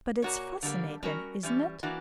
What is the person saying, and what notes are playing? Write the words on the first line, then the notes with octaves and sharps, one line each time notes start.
But it's fascinating, isn't it?
A#2 A#3 D4 F#4 C#5
D3 G3 A#3
G3 C#4 F#4 A#4
E3 G3 C#4
E3 A#3 D4 F#4